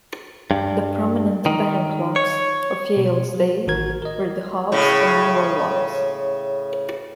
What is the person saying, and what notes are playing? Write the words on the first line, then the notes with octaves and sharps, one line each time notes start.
The prominent bank locks of Yale's day were the Hobbs or Newell locks.
G2
D#3
C#5
B2
F#3
A1 D#3 F#4 A#4 G#6
A#4 D#5
A2 C#3